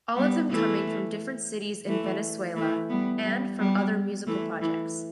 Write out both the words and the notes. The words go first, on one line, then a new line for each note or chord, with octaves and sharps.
All of them coming from different cities in Venezuela and from other musical projects.
G3 B3
E3 A3
E3 A3
E3 A3
G3 B3
G3 B3
G3 B3
E3 A3
E3